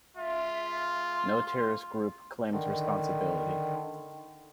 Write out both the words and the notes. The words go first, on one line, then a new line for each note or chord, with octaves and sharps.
No terrorist group claims responsibility.
G#3 F4 E5
C6
D3 D#3